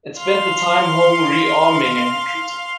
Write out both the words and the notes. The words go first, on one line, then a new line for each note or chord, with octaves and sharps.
It spent the time home re-arming and recruiting.
F5 C6